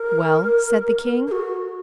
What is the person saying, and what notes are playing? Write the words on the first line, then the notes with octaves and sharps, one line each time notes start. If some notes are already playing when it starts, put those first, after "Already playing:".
"Well?" said the king.
Already playing: A#4
A#4
F#4